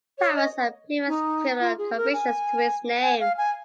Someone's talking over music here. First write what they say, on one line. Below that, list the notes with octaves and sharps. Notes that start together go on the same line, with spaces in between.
Thomas had previous criminal convictions to his name.
C#5
D#5
D#4
F4
G#4
A#4
G#5
G#5
F5
G#5